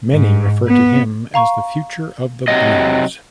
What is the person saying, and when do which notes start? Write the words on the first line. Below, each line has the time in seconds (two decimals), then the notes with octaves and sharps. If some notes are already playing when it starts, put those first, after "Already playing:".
Many refer to him as the future of the blues.
0.13 G#2
0.68 B3
1.34 F5 A#5 C#6
2.48 C3 F#3 D#5